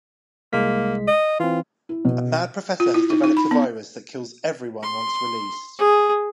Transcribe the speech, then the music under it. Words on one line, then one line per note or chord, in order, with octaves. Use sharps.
A mad professor has developed a virus that kills everyone once released.
C2 G#3 A#3 B6
D#5
E3 C4 F4
E4
B2
F4
E4
D#4
D#4
B5
B3
C6
G#4